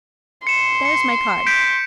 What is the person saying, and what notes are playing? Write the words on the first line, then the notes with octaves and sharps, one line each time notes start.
There's my card.
C6 C#7 E7
C#7
G6 B6 D7